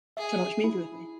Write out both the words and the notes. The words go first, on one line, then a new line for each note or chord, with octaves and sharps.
Do you wanna watch a movie with me?
G#4 E5
E4